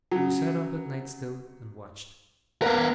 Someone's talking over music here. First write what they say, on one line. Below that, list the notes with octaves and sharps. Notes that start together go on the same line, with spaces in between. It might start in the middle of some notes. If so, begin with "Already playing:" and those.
She sat up at night still, and watched.
C#3 F#3
B3 A#4 B4 F5